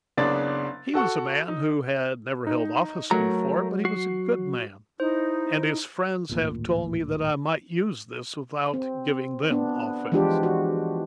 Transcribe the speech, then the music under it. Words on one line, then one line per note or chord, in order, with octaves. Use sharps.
He was a man who had never held office before; but he was a good man, and his friends have told me that I might use this without giving them offense.
F#1 C#3 B3 D4 D5 A6
F#4 A4 F#5 C#6
D#4
D#4
F#3 A3 A#4 A#5
F#4 C7
D#4 E4 C5
D1 G#1 D2 A#2
C4
B3 D4
E3 F3 G#3 D4 F4 G4
F#4